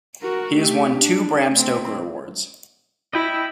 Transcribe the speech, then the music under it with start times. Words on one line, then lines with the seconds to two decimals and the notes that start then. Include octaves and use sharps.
He has won two Bram Stoker Awards.
0.22 F#4 A#4
0.55 A3 G4
0.99 D4
1.52 A3 C4
3.13 E4 D#5 G5 B5